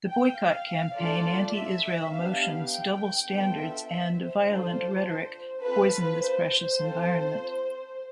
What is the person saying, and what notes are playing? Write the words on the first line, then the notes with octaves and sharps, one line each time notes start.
The boycott campaign, anti-Israel motions, double standards and violent rhetoric poison this precious environment.
G5
F5
A3 D4 F4 A4 D5
E5
B3 D4 G4 F5
G5
B3 D4 F4 A4 G5
E5
E5
C5
D4 F4 A4
C4 F4 A4 B4
C5
C4 F4 A4